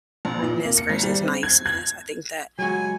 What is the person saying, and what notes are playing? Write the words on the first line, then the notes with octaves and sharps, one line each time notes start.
kindness versus niceness. I think that
A#1
A#2
A#3
C#7
G#1
G3
C4
G#6
G#6
F#3 G#3 F#4 G#5